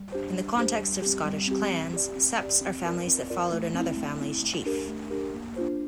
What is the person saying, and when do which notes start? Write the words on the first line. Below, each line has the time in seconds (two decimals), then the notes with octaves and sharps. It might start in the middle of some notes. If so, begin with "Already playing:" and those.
In the context of Scottish clans, septs are families that followed another family's chief.
Already playing: G3
0.12 D4 G4 C5
0.34 G3
0.57 D4 G4 C5
0.79 G3
1.02 C4 G4
1.25 G3
1.48 C4 G4
1.70 C4
1.93 G4 D5
2.16 C4
2.38 G4 D5
2.61 C4
2.84 F4 A#4 D5
3.07 C4
3.30 F4 A#4 D5
3.53 A3
3.75 C4 E4
3.97 A3
4.20 C4 E4
4.42 A3
4.65 D4 G4 A#4
4.88 A3
5.11 D4 G4 A#4
5.34 A#3
5.56 D4 F4 C5